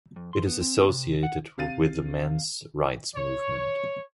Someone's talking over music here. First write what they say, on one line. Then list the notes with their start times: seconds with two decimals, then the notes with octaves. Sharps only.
It is associated with the men's rights movement.
0.16 F2
0.33 C6
0.47 B3
0.61 C4
0.88 C3
1.23 F#5
1.58 C3 F5 A6 D#7
3.16 C#5